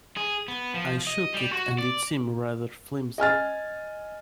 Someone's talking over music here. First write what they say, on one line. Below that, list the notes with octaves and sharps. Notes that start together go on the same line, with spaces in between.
I shook it, and it seemed rather flimsy.
G#4
B3
F3
D#5
G3
F#4
D5
D#5 G#5 F6 A6